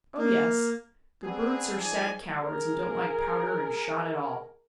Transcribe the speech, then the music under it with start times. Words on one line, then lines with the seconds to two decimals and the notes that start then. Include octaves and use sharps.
"Oh yes; the brutes are sad cowards and don't like powder and shot at all."
0.18 A#3
1.24 B3 C4 D4 G#4
1.80 F3 D#4 G#4 D5 G#5
2.40 G#4 A#4